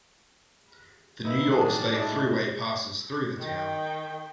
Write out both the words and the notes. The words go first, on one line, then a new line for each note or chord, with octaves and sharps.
The New York State Thruway passes through the town.
B3 D#4 E4
A2 D#3 F3 F#3 D4 F#4 G#4 A5
G#3 D#4 E4 D5
D#3 G5